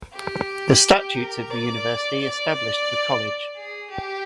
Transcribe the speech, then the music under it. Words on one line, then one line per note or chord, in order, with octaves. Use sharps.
The statutes of the university established the college.
G4
A#4
D5
D5
D5
G#4
G4